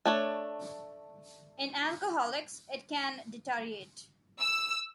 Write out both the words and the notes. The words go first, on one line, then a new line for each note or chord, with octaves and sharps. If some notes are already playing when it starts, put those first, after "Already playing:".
In alcoholics, it can deteriorate.
A3 D4 C#5
E6